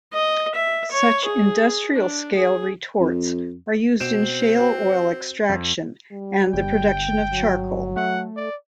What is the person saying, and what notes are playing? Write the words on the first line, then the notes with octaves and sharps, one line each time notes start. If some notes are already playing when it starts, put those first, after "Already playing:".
Such industrial-scale retorts are used in shale oil extraction and the production of charcoal.
D#5
E5
C#5
G#4
D4
G#4
F2
B2 C4 E7
F#4 G5
F2
G3
G1 G5
F#3
A3 F#5
D5